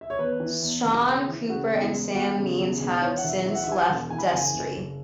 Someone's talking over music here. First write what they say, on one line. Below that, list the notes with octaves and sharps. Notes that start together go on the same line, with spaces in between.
Shaun Cooper and Sam Means have since left Destry.
E5
C#5
E2 B4
E3
E2
E1
C#3
E3
C#3 F#4
E2
E4
G#3
E2 F#4
C#3
E2
E1 G#4
E3 C#5
F#5
E1 E5
E3 E5
F#5
E5
E3 G#5
F#5
E1
E3 G#5
B5
F#1 G#5
F#1
F#1